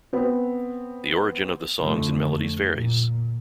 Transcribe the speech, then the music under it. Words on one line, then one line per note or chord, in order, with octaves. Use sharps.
The origin of the songs and melodies varies.
B3 C4
F2 D3 A3
A#2